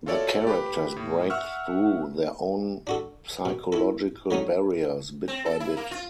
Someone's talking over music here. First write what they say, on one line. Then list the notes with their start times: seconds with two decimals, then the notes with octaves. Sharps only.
The characters break through their own psychological barriers bit by bit.
0.06 F4 F#4 A4 C#5 D5 E5
0.47 G4 B4 B5
0.96 A2
1.30 E5 F#5 C#6 E6 F6
2.87 D4 F#4 A4
3.45 B2
3.72 E4 A4
4.31 F#3 A3 C#4 D#4
5.28 C4
5.46 A4
5.60 E4
5.77 A#3
5.91 F4